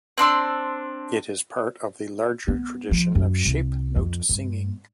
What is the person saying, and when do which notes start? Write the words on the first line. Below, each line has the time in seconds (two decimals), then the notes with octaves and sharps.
It is part of the larger tradition of shape note singing.
0.18 C4 D4 C6 E6
2.48 B3
2.91 F3
3.15 F#2
3.45 C2
3.96 F2
4.29 G2